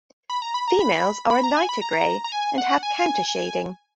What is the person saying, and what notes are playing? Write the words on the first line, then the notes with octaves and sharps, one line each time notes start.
Females are a lighter gray and have countershading.
B5
A#5
B5
A#5
B5
B5
A#5
G#5
B5
A#5
A#5
G#5
F#5
G#5